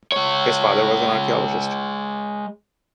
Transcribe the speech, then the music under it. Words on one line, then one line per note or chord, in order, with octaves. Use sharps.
His father was an archaeologist.
G#3 C#5